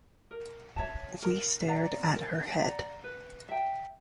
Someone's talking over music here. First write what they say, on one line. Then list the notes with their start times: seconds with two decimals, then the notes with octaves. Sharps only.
We stared at her head.
0.31 A#4
0.76 C#5 E5 A5
1.22 A#4
1.68 D5 F#5 A#5
2.13 A#4
2.57 D5 F#5 A#5
3.04 B4
3.49 E5 G5